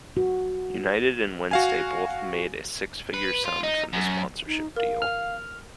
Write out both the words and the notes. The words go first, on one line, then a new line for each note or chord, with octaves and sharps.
United and Wednesday both made a six figure sum from the sponsorship deal.
F#4
F#4 F5 G#5
B4
F4
D#4
F#2
D#4
A#4 F5
F6